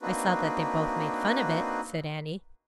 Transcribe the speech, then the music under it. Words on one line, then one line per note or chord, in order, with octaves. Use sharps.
"I saw that they both made fun of it," said Annie.
A#3 C4 D4 D#4 F#4 B4